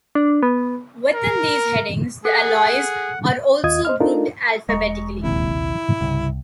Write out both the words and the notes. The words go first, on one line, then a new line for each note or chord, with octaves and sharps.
Within these headings, the alloys are also grouped alphabetically.
D4
B3
A#4
G#4 A4 F#5
D#2 F4 D#5 D#6 G#6
C5 D#5 F6
D4 D#4 F4 A4 A#4
E1 G#3 D#5 A#5 C#6
A#1 D#2 C3 E4
C2 G2 C#3